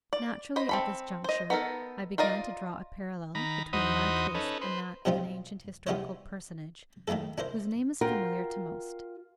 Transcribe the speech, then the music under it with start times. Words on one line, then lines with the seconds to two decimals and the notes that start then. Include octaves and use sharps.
Naturally, at this juncture, I began to draw a parallel between my case and that of an ancient historical personage, whose name is familiar to most.
0.13 D5
0.56 C5 D#5 B5
0.69 C4 A4 B5
1.24 C5 D#5
1.50 B3 D#4 A4 A#4
2.18 F4 A#4 D5 D#5
3.35 D#3 A#5 B5
3.73 E2 D#4 F#4 C5 B5 D#6
4.35 C#4 D#4 A4 B4
4.61 B4 C5
5.05 B2 F3 G3 C4 D#4 F4
5.87 G3 B3 D#4 E4 C5 C#5
7.08 D#3 A3 A#3 E4 A4
7.38 D4 E4 A#4 C5
8.01 F4 F#4 A#4 G5